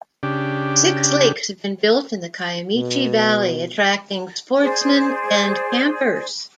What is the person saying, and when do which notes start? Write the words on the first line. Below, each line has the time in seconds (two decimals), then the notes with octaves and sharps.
Six lakes have been built in the Kiamichi Valley, attracting sportsmen and campers.
0.23 C#3 D4 G4
2.75 B2
4.61 G#4 C5 D5